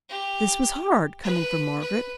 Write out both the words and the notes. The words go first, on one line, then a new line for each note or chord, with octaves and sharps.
This was hard, coming from Margaret.
G4
B4
B4